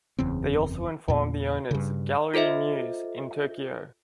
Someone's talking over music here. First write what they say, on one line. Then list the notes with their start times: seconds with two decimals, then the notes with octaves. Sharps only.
They also informed the owners, "Gallery Muse" in Tokyo.
0.19 F#1 E2 C#3 C4
1.08 E2 A#2
1.71 G2 C#3
2.34 F4 A4 C5 D#5 E5